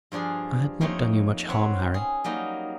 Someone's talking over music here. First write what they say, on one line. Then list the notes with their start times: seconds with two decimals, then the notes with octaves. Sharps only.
I had not done you much harm, Harry.
0.12 G2 F3 D4 G#4 F5
0.81 F2 A3 A#3 D#4 C#5
1.49 C4 B4 C#5 F#5
1.94 C#4 G#4
2.24 F#3 G3 A#3 D#4